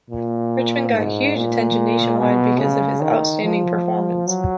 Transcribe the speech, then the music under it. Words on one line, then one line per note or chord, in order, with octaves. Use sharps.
Richmond got huge attention nationwide because of his outstanding performance.
A#2
G#2
A#2
B2
C#3
D#3
F3
F#3